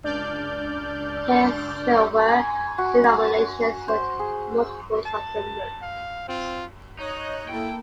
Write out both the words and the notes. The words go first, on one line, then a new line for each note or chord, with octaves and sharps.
His silver denominations were multiples of the merk.
C#2 D4 D5 F6 G6
G#5
F#4
C5
G#4
A5
F5
C4 F4
D#4 C#5 D#5 F#6
A#3 E4 A4 G5